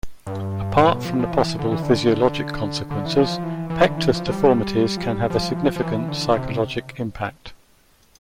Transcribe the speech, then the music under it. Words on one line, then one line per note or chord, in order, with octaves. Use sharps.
Apart from the possible physiologic consequences, pectus deformities can have a significant psychologic impact.
G2
A2
B2
F3
F3
E3
D3
E3
D3
D3
E3
F3
E3
E3
D3
E3
F3
F3
G3
F3
G3
F3
E3
F3
F3
E3
D3
C3